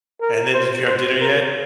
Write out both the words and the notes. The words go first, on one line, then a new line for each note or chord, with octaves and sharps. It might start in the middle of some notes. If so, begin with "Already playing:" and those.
And then did you have dinner yet?
A#4
C5
C5
A#4